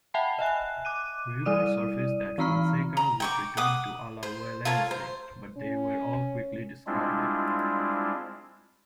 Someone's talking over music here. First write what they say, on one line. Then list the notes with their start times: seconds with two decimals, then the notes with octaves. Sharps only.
Rumors surfaced that Fonseca would return to Alajuelense, but they were all quickly discarded.
0.14 E5 F#5 G5 A5 B5 C7
0.39 D#5 E5 G#5 F#6
0.85 D6 F#6 D#7
1.45 G3 E4 D5 D#6 D#7
2.38 E3 C4 D#4 A#5 B5 F6
2.97 A#5
3.20 G5 C#6 D6
3.57 F#5 D6 D#6
4.23 C5
4.65 F4 A4 A#4 C#5
4.91 C5
5.57 C#4
6.87 G3 G#3 C4 D4 E4 F4